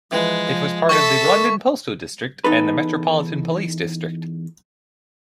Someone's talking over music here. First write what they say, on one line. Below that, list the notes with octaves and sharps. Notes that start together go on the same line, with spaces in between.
It was part of the London postal district and the Metropolitan Police District.
E3 F3 G#3 B4
F3
A4 E5 C#6
D3 D4 A#4
E2 D#4 A4 B4